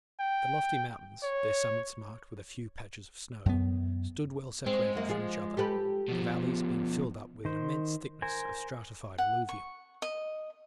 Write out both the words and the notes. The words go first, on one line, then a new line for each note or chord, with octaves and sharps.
The lofty mountains, their summits marked with a few patches of snow, stood well separated from each other, the valleys being filled up with an immense thickness of stratified alluvium.
G5
C#5
F#2 B3
G#3 C4
F#2 A#3
F3 F4 G#4
G4 A4 B4
B2 F3
D#3 C5
A#4 C5 G#5
F#5
C#6
D#5